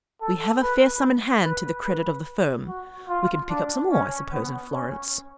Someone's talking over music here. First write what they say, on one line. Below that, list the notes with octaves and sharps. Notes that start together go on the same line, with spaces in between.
We have a fair sum in hand to the credit of the firm; we can pick up some more, I suppose, in Florence.'
A4
B4
B4
B4
F#4
F4
D4
C#4
B3
C#4